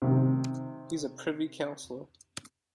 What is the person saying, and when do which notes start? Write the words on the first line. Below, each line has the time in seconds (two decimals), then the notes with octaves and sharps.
He is a Privy Counsellor.
0.02 C3 D#3